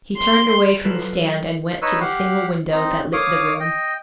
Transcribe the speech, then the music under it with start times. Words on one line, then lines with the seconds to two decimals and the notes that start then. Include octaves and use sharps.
He turned away from the stand and went to the single window that lit the room.
0.17 C6
0.85 F#3 F4 A4 B4
1.82 D#4 B4 C#5 E6
2.01 G4 F5 F#5
2.72 C4 D#4
3.13 C#5 F5 D6 D#6
3.60 D#5 G5